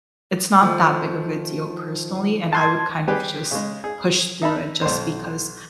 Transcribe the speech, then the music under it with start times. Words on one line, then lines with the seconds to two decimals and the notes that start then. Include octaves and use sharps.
it's not that big of a deal personally, and I would kind of just push through it just because,
0.62 D#3 F3 A3
2.53 A5 C6 G#6
3.07 G3 G4 G#4 B4
3.51 C#3 G#3
3.84 G#4
4.42 D#4 E5 A5 B5
4.82 B1 C5